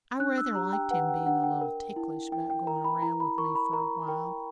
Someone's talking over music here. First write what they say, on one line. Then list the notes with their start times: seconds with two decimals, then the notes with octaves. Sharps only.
I rather liked him bein' a little ticklish about goin' around with me for a while.
0.20 D4 F#6
0.38 E6
0.55 G4 A#5
0.73 G5
0.91 B4 F#5
1.09 G5
1.26 D4 F#5
1.43 G5
1.61 A#4
1.96 E4
2.32 E4 G5
2.50 G5
2.67 A#4 A#5
2.84 B5
3.02 E4 A#5
3.20 B5
3.38 A#4 C#6
3.55 B5
3.73 A#4 A#5
4.08 A#4 G5